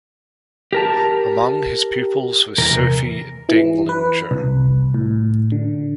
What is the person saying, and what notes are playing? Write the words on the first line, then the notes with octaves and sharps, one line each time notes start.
Among his pupils was Sophie Dinglinger.
G4 A#4 A5
E2 C3 A#4
E3
B4
C2
A2
D3